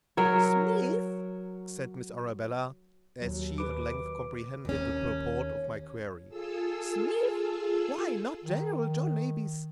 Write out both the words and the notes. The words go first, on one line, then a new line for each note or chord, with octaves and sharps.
"Smith?" said Miss Arabella, as she at length comprehended the purport of my query; "Smith?--why, not General John A. B. C.?"
F#3 A#4 C#5
D#2 F#3
B4 D6
D#2 C#4
F4 G#4 A4 E6
D#3